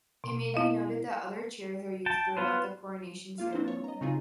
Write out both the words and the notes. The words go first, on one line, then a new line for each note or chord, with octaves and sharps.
It may be noted that other chairs are used throughout the coronation ceremony.
B2
B3 E4 D#5 F5
G5 A5
B3 F4 B4 C5
A#3 F4 F5
A#3 C4 D4 E4 B4 C5
C#5 A6
D#5 A#5
C#3 F#3 C4 D#4 F4 G#4